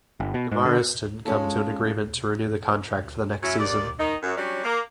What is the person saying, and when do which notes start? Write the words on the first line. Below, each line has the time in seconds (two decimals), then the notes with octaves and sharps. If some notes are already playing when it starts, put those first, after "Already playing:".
Guimaraes didn't come to an agreement to renew the contract for the next season.
0.20 G1
0.34 B2
0.51 G#2
0.65 D3
1.25 G#3 C#4 F4 A4
3.43 F#3 C#4 E4
3.58 D#2 D5
3.98 D#3 D#4
4.22 F#2
4.36 F#3 G3 C#4 D4
4.64 A#3